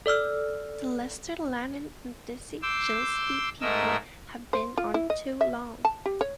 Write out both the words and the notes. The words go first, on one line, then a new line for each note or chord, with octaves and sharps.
The Lester Lanin and Dizzy Gillespie people have been on too long.
A4 D5 E6 F6
C6 D6 E6 G6
G#2 A3 A#4 D#5 E6
C5
F4
E4
D#5
E5
A5
G4
C#5